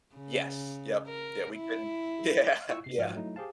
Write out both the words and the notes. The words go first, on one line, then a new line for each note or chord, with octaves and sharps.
Yes, yep. Yeah, we couldn't yeah, yeah.
C#3
A#4
E4
E4 F4 C#6 E6
C3 C7
G#2 F3 F#4 G5 F6
F#3 A3 D#4 E4
G4 G#4 C5 F5 A5